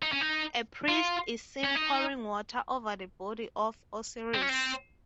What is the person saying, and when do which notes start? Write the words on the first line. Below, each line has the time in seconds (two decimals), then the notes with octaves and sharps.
A priest is seen pouring water over the body of Osiris.
0.03 D#4
0.12 C#4
0.21 D#4
0.89 F4
1.64 C#4
1.75 D#4
4.34 C4
4.41 C#4
4.49 C4